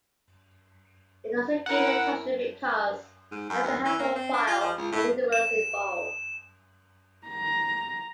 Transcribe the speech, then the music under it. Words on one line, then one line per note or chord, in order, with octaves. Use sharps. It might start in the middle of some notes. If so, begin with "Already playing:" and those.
It also gained attention because of the high profile of individuals involved.
E4 A#4 F#5
G#2
F#2
D#2
E3
A#3
C4
D4
F4
F3
C#2
A2
E7
A#5